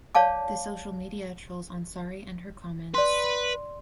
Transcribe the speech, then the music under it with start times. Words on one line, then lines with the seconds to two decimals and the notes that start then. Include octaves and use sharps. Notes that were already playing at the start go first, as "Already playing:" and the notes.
The social media trolls Ansari and her comments.
0.15 C#5 D5 F5 A5 D6
2.94 B4 D5 C6